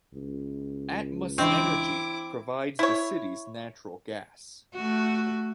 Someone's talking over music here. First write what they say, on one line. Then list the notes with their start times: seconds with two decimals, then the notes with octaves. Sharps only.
Atmos Energy provides the city's natural gas.
0.14 C#2
1.38 E3 C4 D4 E4 D#5 D6
2.79 E4 C#5
4.75 A3 F#4